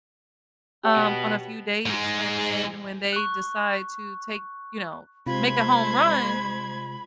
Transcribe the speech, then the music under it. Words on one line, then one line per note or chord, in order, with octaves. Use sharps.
um, on a few dates and then when they decide to take, you know, make a home run,
G4 C#5 F#5
B2 B3
G#2 G#3
C#6 F#6
C3 G#3 F4 C5 B5 G#6